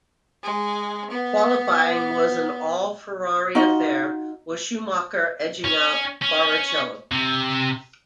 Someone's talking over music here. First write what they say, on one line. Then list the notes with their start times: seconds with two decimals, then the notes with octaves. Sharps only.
Qualifying was an all Ferrari affair, with Schumacher edging out Barrichello.
0.43 G#3
1.10 B3
3.55 D#4 F4 F#4 D#5
5.65 C#4
6.22 C#4
7.11 C3